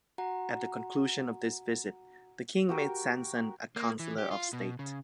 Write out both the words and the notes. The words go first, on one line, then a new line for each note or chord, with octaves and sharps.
At the conclusion of this visit the king made Sanson a councillor of state.
F#4 F#5 A#5
F#4 G4 A#4
A#3
E3
G4
F4
B2
C#3